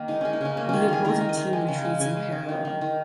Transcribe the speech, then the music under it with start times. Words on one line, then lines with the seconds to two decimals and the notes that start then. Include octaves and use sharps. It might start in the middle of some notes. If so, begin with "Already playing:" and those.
The opposing team retreats in parallel.
Already playing: D#3 A#3
0.08 G#3 D#4
0.21 G#3 C#4
0.33 D#4
0.41 C#3 C#4
0.57 A#3 C#4
0.69 D#3 C#4
0.81 F4
0.89 D#3 G#4
1.05 D#3 A#4
1.21 D#3
1.29 D#5
1.37 D#3
1.53 G#3
1.68 C#3
1.85 G#3
2.01 C#3 G#5
2.17 G#3
2.32 C#3
2.49 D#3
2.65 D#3
2.81 D#3